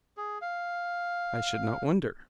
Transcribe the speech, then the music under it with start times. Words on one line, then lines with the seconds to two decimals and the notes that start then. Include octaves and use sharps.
I should not wonder.
0.17 G#4
0.42 F5